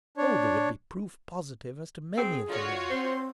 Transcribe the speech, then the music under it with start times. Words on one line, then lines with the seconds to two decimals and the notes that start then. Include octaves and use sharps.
Oh, there would be proof positive as to many of the men.
0.17 D4 C#5
2.17 C4 G#4
2.49 D3 F4 F#4 C#5
2.89 C4 C5